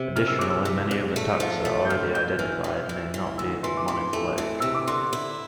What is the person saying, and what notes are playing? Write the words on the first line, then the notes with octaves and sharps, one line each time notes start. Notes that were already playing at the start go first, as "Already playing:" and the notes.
Additionally, many of the taxa already identified may not be monophyletic.
Already playing: C3
E2 F6
E6
E2 D6
E6
C3
E2
A3
F3
A3
G6
D2 F6
D2 G6
E3 F6
E3
E3
E3
D2 E6
E3 C6
D6
E3 C6
A3
E3
C3 E6
D6
D3 C6
E4